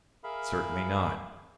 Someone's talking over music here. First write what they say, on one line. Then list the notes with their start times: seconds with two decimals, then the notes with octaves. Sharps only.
Certainly not.
0.24 G#4 A#4 E5 F5 B5